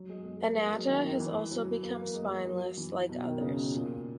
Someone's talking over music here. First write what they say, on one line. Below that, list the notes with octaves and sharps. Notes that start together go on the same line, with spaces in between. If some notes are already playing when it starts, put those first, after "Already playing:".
Ananta has also become spineless like others.
Already playing: F#3
G#3
G#3
A#3
G#3
F#3
D#3
D#3
E3
F#3
A#3
A#3
G#3
F#3
E3
B2
D#3
C#3
B2
A#2